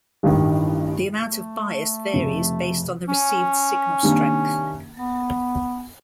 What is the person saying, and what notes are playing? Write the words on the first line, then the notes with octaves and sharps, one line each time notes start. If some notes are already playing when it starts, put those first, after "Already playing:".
The amount of bias varies based on the received signal strength.
A1 G2 D#3
A3
F1 F2 C#3
C#4
C3 D#3 G3 A#3 D4
B3